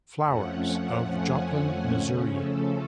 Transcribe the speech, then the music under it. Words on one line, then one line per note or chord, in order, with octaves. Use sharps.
Flowers, of Joplin, Missouri.
F2 F3 A3 C#4 F#5
F#5
G#5
C#3 F3 A3 C#4
A4